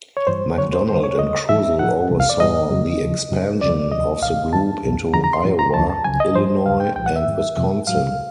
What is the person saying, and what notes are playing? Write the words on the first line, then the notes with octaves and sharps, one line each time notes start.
McDonald and Kruzel oversaw the expansion of the group into Iowa, Illinois, and Wisconsin.
C#5
G2 E3 G3 C5
F2 D3 F#3 C#5
C5
F2 D3 G3 C5
C#5
D2 D3 G3 D#5
G#2 E3 G3 E5
A2 F3 F#5
C2 C3 E3 G3
F5
D5
G#2 E3 G3 D#5
F2 C#3 F#3
D#2 C#3 F3
F#2 C#3 F#3
D2 C#3 F#3 D5
D2 C3 F3 D#5
C2 A#2 F3 F5
G2 D#3 G3 A5
C2 B2 F#3
F2 D3 F3 A#5
A#5
C6
A2 F3
A#5
D2 D3 F3 A5
A5
C#2 C#3 F#3 G#5
D#5
G#2 F3 C5
D#2 C#3 F#3 F5
G5
C2 A#2 F3 G5
F#5
E5
G#2 D#3 G3
F2 C3 F3
A2 F#3 F5